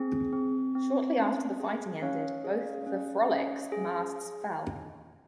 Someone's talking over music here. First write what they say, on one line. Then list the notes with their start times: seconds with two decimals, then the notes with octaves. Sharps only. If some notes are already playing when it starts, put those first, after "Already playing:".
Shortly after the fighting ended, both the "Frolic"s masts fell.
Already playing: C4 G#4
0.32 C4
0.75 C4
1.18 C#4
1.60 G#4
2.02 C#4 C#5 F5
2.44 G#4
2.86 C#4
3.30 C#4
3.72 G#4